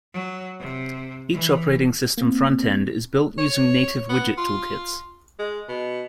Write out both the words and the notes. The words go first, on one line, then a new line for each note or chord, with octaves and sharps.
Each operating system front-end is built using native widget toolkits.
F#3
C3
E3
A#3 C4
C#5
B3
F4
G#3
B2